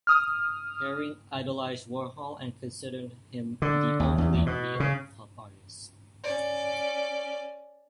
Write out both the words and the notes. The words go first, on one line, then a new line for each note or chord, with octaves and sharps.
Haring idolized Warhol and considered him the only "real" Pop artist.
D#6 F6
D3
D#2
E2
E2
B2
C#3
C#4 D5